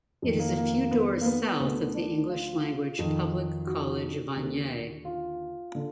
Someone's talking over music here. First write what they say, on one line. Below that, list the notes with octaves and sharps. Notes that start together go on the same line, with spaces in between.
It is a few doors south of the English-language public college Vanier.
F2 D#3
A#3
A#3
A#3
B3
A#3
B3
D2 D3 B3
D4
F4
F2 D#3
F#4
D#2 D3
F4
D3